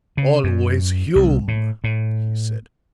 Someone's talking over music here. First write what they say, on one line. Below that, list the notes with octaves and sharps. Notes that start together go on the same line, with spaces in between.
"Always Hume," he said.
C#3
F#2
C2
A2
A2